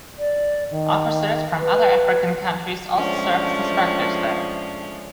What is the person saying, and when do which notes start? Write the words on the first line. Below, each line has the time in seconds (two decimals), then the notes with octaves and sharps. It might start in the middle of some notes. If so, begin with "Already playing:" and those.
Officers from other African countries also serve as instructors there.
0.18 D5
0.71 D#3
1.59 B4
2.94 F3 G#3 A3 C#4 D4